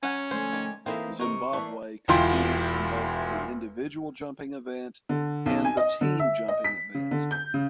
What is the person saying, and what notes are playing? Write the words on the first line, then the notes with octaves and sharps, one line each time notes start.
Zimbabwe competed in both the individual jumping event and the team jumping event.
F#3 C#4 F#5 G#5
D3 F3 A3 C5
D#3 D5
E3 A#3 C4 D#4 E4 A4 E5
C3 D#4 A#4 C#6
E3 A3 A#3 D5
E1 E2 E4 F4 G5 C6
D3
B1
G#5
D#5
D3
E5
D#5
B6
C#3
D3
G6
C#3